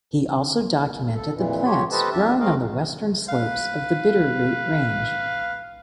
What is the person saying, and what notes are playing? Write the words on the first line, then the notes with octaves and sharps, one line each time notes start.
He also documented the plants growing on the western slopes of the Bitterroot Range.
A4
F2 A#2 E3
F4 G4 C#5
G4 A4 B4 C5 D#5 A5
F2 D4 G4 E5 A5
F#2 A3 C4 A#4 D#5 F5
B4 F5